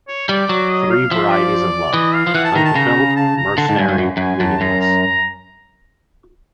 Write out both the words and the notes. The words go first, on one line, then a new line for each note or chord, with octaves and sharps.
Three varieties of love: unfulfilled, mercenary, meaningless.
C#5
G3 D5
F#3
D#5
F5
F3 E5
D5
E3 D#5
F5
F3
E3 F#5
A5
D#3 A#5
A5
C#3 A#5
A5
A#5
D3 A5
G#2
G2 G#5
G2
F#2
F#2 G#5
F#2 A5
F#2 A#5
A#5
A#5